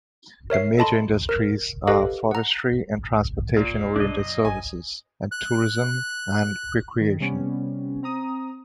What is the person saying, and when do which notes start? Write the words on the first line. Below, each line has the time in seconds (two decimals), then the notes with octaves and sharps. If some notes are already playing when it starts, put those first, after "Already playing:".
The major industries are forestry and transportation-oriented services and tourism and recreation.
0.50 A#4 C#5 E5 C7
0.78 A4 D#5 A5 B5 C6
1.29 A#4
1.87 G4 A4 B4 D#5 F5
2.31 F#5 A#5
2.93 A1 D#2
3.24 F1 C2
3.56 A#2
3.96 B1 C3 D4 D#5
4.19 F#2 D#5
4.45 G#1 E3 G#5
5.32 F#6
7.01 D#3
7.20 C3 G3 B3 C#4
8.03 C4 A#5 D#6